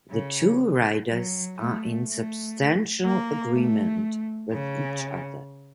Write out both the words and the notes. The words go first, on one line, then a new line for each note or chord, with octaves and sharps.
The two writers are in substantial agreement with each other.
C#3
F#3
A3
A3
A#3
A3
C#3